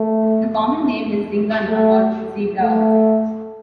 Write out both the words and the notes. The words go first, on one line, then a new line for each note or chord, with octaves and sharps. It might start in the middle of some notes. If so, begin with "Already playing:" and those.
The common name is "zingana" or zebrawood.
Already playing: A3
A3
A3